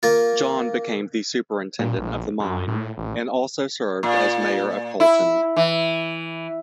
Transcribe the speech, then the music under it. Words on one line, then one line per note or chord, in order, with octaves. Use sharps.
John became the superintendent of the mine, and also served as mayor of Coalton.
A#3 F4
A#2
A#1
F#2
A2
A1
A#2
E4
E3